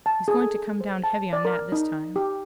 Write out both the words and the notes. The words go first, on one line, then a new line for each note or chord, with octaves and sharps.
He's going to come down heavy on Nat this time.
A5
G#4
A4
C5
A5
D5
A#4
D#4
G4